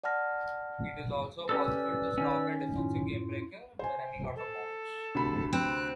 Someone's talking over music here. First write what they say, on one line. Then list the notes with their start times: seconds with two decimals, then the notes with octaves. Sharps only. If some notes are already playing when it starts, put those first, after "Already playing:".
It is also possible to stop a defensive gamebreaker by running out of bounds.
0.04 D5 F#5 A5 F6 A#6
1.49 C#4 G4 A4 B4 D5 E6
2.18 D#3 C#4
2.77 F#2 A2 F4
3.79 C5 G#5
4.36 A4
5.15 D2 C3 B5
5.53 C4 F#6